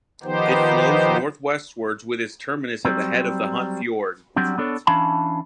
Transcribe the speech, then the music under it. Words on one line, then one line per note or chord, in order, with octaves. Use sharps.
It flows northwestwards with its terminus at the head of the Hunt Fjord.
D#3 F3 B3 D#4 G4 C5
F#3 G3 C4
F#3 G3 C4 D4
B3 D4 A4 C#5
E3 C#4 D4 F5 A5 B5